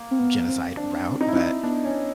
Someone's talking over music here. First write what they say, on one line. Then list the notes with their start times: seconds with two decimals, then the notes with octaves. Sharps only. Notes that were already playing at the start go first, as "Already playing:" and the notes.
genocide route, but
Already playing: A#3
0.11 C4
0.19 B3
0.48 C4
0.77 C4 D4
1.21 D#4
1.28 E4
1.36 D#4
1.63 B3 D4
1.85 C#4